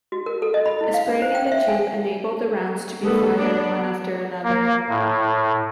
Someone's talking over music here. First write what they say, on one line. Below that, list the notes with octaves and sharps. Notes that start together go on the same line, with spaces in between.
A spring in the tube enabled the rounds to be fired one after another.
F#4
A#4
A4
D#5
B5
E4
F5
D4
C5
G5
E5
G#5
D3 G#3 A#3 B3 A4
B3 D4
A#3
A2